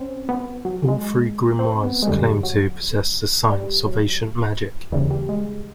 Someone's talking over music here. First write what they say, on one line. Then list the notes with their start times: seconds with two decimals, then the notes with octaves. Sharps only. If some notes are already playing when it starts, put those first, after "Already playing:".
All three grimoires claim to possess the science of ancient magic.
Already playing: C4 C#4
0.29 B3
0.65 F#3
0.88 G#3
1.59 C4
1.84 B3
2.02 G#3
2.07 F#2 D3 G3
2.43 F#3
3.50 G3
3.86 F#3
4.92 D#2 C#3 E3 G3
5.10 G3
5.29 G#3